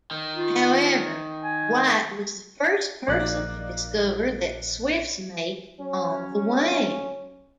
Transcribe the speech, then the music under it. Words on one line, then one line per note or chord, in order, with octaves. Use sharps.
However, White was the first person to discover that swifts mate on the wing.
D#3
F4
G#5
A#1 A#3 D#4 D5 F#6
F#3 C#4